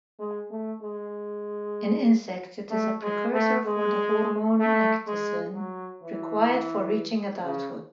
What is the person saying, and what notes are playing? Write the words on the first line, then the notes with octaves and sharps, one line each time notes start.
In insects it is a precursor for the hormone ecdysone, required for reaching adulthood.
G#3
A3
G#3
A3
G#3
A3
G#3
A3
G#3
F#3
E3
C#3